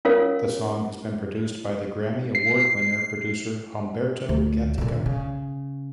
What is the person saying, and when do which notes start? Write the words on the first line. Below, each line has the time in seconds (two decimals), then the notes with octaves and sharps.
The song has been produced by the Grammy Award Winner producer Humberto Gatica.
0.05 C#4 F4 A#4 C#5 F5 D#6
2.35 C7
4.29 D2
4.78 A#2 D3
5.06 C#3